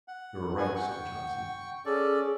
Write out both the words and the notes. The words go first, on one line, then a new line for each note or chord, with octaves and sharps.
"You are right," said Johnson.
F#5
F#5 G#5
F#5 G5 C#6
C#4 G#4 A4 D5